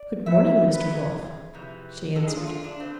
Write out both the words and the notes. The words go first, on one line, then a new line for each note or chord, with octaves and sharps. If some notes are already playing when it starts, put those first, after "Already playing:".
"Good morning, Mr. Wolf," she answered.
Already playing: D5
A2 E3 E5
B4
F2 C3 E3 G#4
F2 C3 E3
F2 D3 A4
G#4
F4
F4
D4
B2 C4